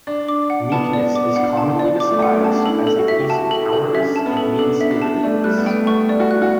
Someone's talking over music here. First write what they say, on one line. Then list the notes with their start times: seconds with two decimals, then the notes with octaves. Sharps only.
Meekness is commonly despised as a piece of cowardice and mean-spiritedness.
0.07 D4 D5
0.28 D6
0.50 F#5
0.72 B3 A5
0.93 D5
1.15 D6
1.36 D4 F#5
1.57 A5
1.79 D5
2.00 D6
2.11 A3
2.22 B3 F#5
2.38 C#4
2.44 A5
2.51 D4
2.66 E4 A4
2.87 A4
2.98 F#4
3.08 E5
3.20 G4
3.30 F#4 A5
3.51 A4
3.62 E4
3.73 A4
3.84 D4
3.94 C#4 E5
4.16 A5
4.26 B3
4.37 A4
4.58 D4 A4
4.81 E5
4.91 D4
5.02 A5
5.23 A3 D5
5.44 G3 F#6
5.58 B3
5.66 A3 G5
5.87 B3 C#6
6.09 D5
6.20 F#4
6.31 F#6
6.42 F#4